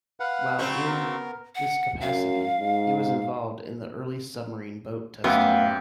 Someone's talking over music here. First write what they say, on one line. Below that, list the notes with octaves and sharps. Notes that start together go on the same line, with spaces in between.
While in this capacity, he was involved in early submarine boat testing.
B4 F5 F#5
C#3 F#3 C4 B5
B3 A#4
F#5
F#2 F5
G#2
F#2 A3 B3 G4 E5 F5